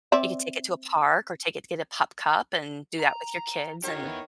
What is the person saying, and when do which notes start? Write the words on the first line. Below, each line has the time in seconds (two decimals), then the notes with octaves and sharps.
you could take it to a park or take it to get a pup cup, and do that with your kids, and,
0.12 C4 D5 E5
2.99 A#5
3.84 D#3 F4 G4 C#5
4.03 B3 E4